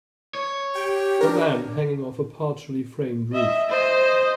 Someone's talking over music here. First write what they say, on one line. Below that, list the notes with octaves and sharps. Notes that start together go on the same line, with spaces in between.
A man hanging off a partially framed roof.
C#5
G4 G5
D4 A#4
D#5 E5
C5 D#5